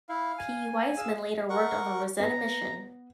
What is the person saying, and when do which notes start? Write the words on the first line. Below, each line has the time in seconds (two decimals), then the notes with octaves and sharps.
P. Weissman later worked on the Rosetta mission.
0.09 E4 F5
0.38 G#5
0.97 G#4 F5 E6
1.50 A#4 F#5 C#6
2.20 B3 A#5